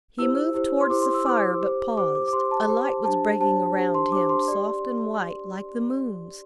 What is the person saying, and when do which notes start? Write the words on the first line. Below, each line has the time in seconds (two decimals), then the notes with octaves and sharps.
He moved towards the fire, but paused; a light was breaking around him, soft and white, like the moon's.
0.18 E4 G4 C5 E6
0.54 E4 G4 C5
0.81 C6
0.90 E4 G4 C5 D6
1.02 C6
1.14 E6
1.26 E4 G4 C5 D6
1.61 G4 C5
1.97 G4 C5 D6
2.15 D6
2.28 D6
2.33 G4 C5 C6
2.51 A5
2.69 G4 C5
3.04 D4 G4 C5 A5
3.40 D4 G4 C5 A5
3.76 D4 G4 C5
3.95 C6
4.12 D4 G4 C5 D6
4.29 C6
4.48 G4 D5